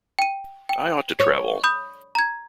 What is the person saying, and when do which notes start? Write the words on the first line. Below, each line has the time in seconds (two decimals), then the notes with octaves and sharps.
I ought to travel.
0.19 G5 D#7
0.69 G5
1.20 C#5
1.64 B5 D#6 G6
2.15 A#5 G#6